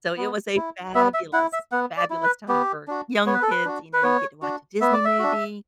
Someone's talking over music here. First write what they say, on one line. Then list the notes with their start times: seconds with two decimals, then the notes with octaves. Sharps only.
So, it was a fabulous, fabulous time for young kids, you know, you get to watch a Disney movie
0.17 B3
0.56 E4
0.95 B3 E5
1.14 E5
1.33 E4 F#5
1.53 E5
1.72 B3 F#5
1.97 D5
2.10 E4
2.23 B4
2.49 B3 G4
2.88 D4 F#4
3.26 B3 C#5
3.34 B4
3.42 A4
3.51 B4
3.65 D4 F#4
3.93 B4
4.03 B3 C#5
4.42 D4 F#4
4.81 B3 E5
4.93 D5
5.05 E5
5.19 D4 F#4